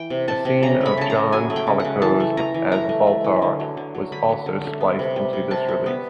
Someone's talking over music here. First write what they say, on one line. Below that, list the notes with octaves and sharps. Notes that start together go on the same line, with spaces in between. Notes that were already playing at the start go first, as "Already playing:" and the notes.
A scene of John Colicos as Baltar was also spliced into this release.
Already playing: E3 G5
C3
C3 A5
C3
C#3 A#5
A3 B5
C#3 A5
A#5
C#3
F#3 G#5
A3
G5
C#3
C#3 F#5
E3 A5
A3
E3 A#5
E3
A3 A#5
A3
A3
E3
D3
F#3
D3
F#3
D3 B5
F#3
D3
A3
B3
C3
G3
C3
C3 A5
G3
B3